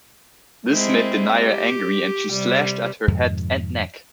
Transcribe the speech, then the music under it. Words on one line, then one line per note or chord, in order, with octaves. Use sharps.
This made Denyer angry, and she slashed at her head and neck.
G#3 C4 E4
G4
C3 G3
F2 G#2 C3 D#3